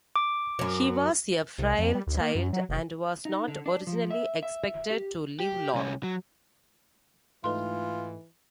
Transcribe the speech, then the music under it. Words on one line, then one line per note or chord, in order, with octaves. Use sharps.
He was a frail child and was not originally expected to live long.
D6
F#2 F#3
C2
F2
G3
D2
A#3
F#2
F#3
F1
D#4
D3
D4
F3
E5
E5
G4
G4
C2 C#4
F#3
G#2 E3 A3 D#4 F4 B4 C6